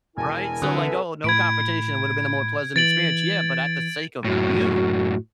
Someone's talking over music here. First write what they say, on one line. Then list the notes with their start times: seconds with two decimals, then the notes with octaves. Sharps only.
right? So, like, oh, no confrontation woulda been a more pleasant experience yeah, but at the sake of you,
0.17 E1 E4 A#4 G#5 A5
0.62 C2 D3 A4 B4 E5 D#6 F#6
1.24 A2 B5 G#6 D7
2.76 E3 A6 D7 F#7
4.25 F#2 A2 F#4